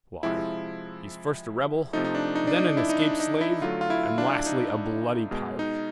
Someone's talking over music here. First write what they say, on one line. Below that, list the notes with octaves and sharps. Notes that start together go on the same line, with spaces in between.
Why, he's first a rebel, then an escaped slave, and lastly a bloody pirate.
C3 F3 G#3 E4
C3 F3 A3 D#4
D#4
D4
D#4
D4
D#4
E4
D#4
D4
D#4
E4
D3 F#3 A3 F4
F4
E4
D4
D#4
B2 G#3
D#4